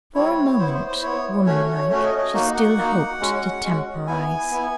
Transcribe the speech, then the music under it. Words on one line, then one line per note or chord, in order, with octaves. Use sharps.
For a moment--woman-like--she still hoped to temporise.
G3 C4 E4 C#5
B3 E4 C5
C5
C5
B3 E4 C#5
A3 C#4 F#4 C#5
C#5
C#5
A3 C#4 F#4 C#5
D#5
D#5
A#3 D#4 F#4
F#5
A#3 D#4 F#4
G#3 C#4 F#4
G#3 C#4 F#4
B3 E4 G#5
B3 E4